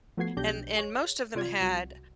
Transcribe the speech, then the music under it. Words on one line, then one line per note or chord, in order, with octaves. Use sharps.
and and most of them had
F3 A3 B3 F#4 G#6 C7
B1 D4 G4 G6 A#6
G#4 C#5
C3 F4 D5 G#6
C2 F#4